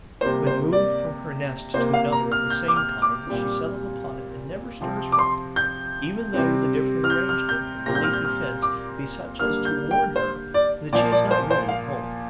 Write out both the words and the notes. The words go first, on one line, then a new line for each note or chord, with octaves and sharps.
When moved from her nest to another of the same kind, she settles upon it and never stirs from it, even though the different arrangement of the leafy fence be such as to warn her that she is not really at home.
C3 G3 A#3 C5
C5
D5
C3 A#3 C5
F5
A#5
F6
G6
D6
F6
D6
A#2 G3 C4
C3 F3 C4
D6
C6
G6
C3 G3 C4
F6
G6
F6
G6
A#2 G3 C4 A#6
G6
F6
G6
F6
D6
D3 G3 A#3 F6
G6
G5
C5
D5
A#2 F3 A#3 D5
D5
C5
C5
F5